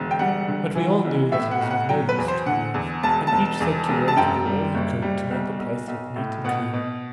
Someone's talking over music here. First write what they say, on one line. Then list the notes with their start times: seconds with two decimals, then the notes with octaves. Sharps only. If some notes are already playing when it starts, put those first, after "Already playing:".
But we all knew that it was of no use to grieve, and each set to work to do all he could to make the place look neat and clean.
Already playing: E1 D3
0.11 G5
0.19 G3 F#5
0.48 D3
0.75 E3
1.05 B1
1.32 A2 E5
1.51 F#5
1.61 B1
1.71 F#5
1.89 F#3 G5
2.09 B4
2.18 E2
2.28 C5
2.46 D3 F#5
2.74 E2
3.03 E1 A5
3.27 E1 A5
3.60 E2
3.88 E1
4.08 A5
4.16 F#2 G5
4.46 G3
4.75 F#1
5.02 G3
5.31 B1
5.59 B1
5.88 B1
6.16 A2
6.44 B2 F#5
6.73 B2